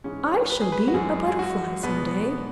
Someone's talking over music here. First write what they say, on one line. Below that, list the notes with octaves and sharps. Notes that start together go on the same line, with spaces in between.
"I shall be a Butterfly some day!"
G#2 E3 G#3 C#4
C#5
B4
G#4
B4
F#4
F#2 E3 G#3 G#4
G#4
F#4
E2 B2 G#3 B3